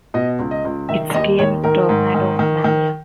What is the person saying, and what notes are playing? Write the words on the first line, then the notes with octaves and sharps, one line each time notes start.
Its game Tornado Mania!
B2 D#5
C#2
D#5
C#2
D#3 E5
D#2 D#5
D#3 C#5
D#3 A#4
G#2
D#3
D#3
D#3